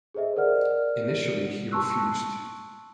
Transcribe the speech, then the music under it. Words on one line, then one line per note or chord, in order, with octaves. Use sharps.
Initially he refused.
G#4 A4 C5 D#5 E5
A#4 D5 F#5 F6
A5 C6 C#6 E6 F#6